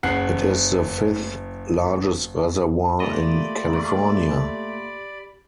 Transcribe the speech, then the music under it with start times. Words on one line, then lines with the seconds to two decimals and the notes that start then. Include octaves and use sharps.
It is the fifth largest reservoir in California.
0.03 F#1 C#3 F#5 F#6 C7
3.00 A#2 A3 G4 D5 D#5 B5